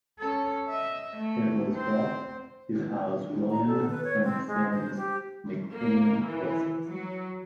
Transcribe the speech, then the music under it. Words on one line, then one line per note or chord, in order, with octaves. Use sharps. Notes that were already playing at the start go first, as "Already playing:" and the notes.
It was built to house William Simpson's "McKinney" horses.
C#4 A4
D#5 E5
A3
C4 C5
A#5
A4
B4
C#5
C4
G#3
C5
G4
A#3
E3
F#3